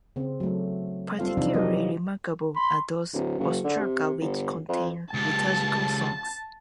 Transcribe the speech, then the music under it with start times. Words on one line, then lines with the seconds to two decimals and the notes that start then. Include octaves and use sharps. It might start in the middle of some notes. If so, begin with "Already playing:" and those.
Particularly remarkable are those ostraca which contain liturgical songs.
0.16 C#3 C4
0.40 F#3 A3
1.19 G3 C4 F4 A4 F5
1.37 C3 E3 F3 C4 D4 D#4
1.54 F3 F#3 G4 D#5
2.56 B5 C6
3.13 D1
3.40 F#1
3.64 D3
3.79 C3
4.21 G1
4.68 F2
5.14 C#2 G4 A5